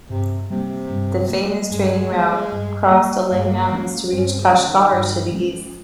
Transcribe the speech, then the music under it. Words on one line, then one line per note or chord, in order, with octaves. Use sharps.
The famous trading route crossed Alay Mountains to reach Kashgar to the east.
G2 C3
C3 G3 A#3
G2
G3 A#3
G2 G#3
G3 A#3
G2
G3 A#3
G2 A#3
G#3
A#3
F3 G#3 C#4
G2 C4
C#4
C4
C#3
F3 G#3 C#4
D#3
G2
F3 G#3 C#4